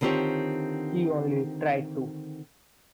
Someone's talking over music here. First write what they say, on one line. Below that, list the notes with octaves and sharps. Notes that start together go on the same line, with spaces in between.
He only tried to.
D3 D#3 C4 F4 G4 C#5